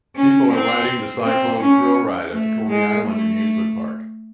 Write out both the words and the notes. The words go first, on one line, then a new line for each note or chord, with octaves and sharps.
People are riding the Cyclone thrill ride at the Coney Island amusement park.
C#4
C4
C4
C#4
A3
G#3
A3